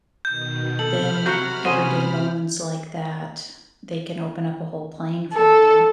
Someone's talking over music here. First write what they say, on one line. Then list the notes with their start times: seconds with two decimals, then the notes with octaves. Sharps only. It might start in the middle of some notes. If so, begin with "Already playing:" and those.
then everyday moments like that, they can open up a whole plane for you
0.25 B2 D#3 G6
0.79 C3 A4 B5 F6 F#7
1.26 F#3 F#4 F#5 G6
1.65 C#4 C5 D#5
5.33 A4